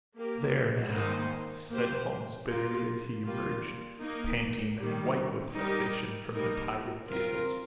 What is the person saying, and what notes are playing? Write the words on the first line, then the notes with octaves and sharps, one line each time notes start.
"There now!" said Holmes bitterly as he emerged panting and white with vexation from the tide of vehicles.
A#3 G4 A#4
D#3 A#3 D#4 C5
A#3 G4 C5
A#3 F4 A#4
G3 A#3 F4
A#3 D#4 A#4
D#3 G3 A#3
G3 D#4 G4 A#4
G3 A#3 D#4 A#4
C4 F4 A#4